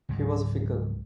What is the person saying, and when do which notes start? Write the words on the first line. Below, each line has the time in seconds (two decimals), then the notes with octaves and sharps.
He was fickle.
0.09 C#2 G#2 F#3 G#3